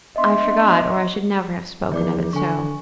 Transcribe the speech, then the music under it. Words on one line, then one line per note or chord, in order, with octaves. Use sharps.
I forgot, or I should never have spoken of it so.
B3 D4 D#5 E5 C6
E2 F3 D5 D6
D3 G#5 C#6